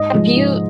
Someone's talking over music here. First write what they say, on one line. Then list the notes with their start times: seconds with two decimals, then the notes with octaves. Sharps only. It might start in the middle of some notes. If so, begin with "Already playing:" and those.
Have you
Already playing: G#2 D#5
0.13 F3 G#3
0.37 G#2